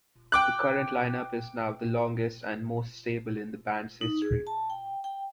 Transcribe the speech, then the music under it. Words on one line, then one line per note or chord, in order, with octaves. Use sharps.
The current lineup is now the longest and most stable in the band's history.
G5 D6 F#6
D#4
G#4
A5
G5
G5